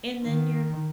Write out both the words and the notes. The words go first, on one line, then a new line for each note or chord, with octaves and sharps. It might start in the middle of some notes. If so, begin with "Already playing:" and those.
And then you're
D#3